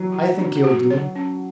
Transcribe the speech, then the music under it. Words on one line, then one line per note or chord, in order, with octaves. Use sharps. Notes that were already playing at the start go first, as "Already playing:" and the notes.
"I think he'll do."
Already playing: E3 F#3
F#4
D4
F#4
C#5
C#4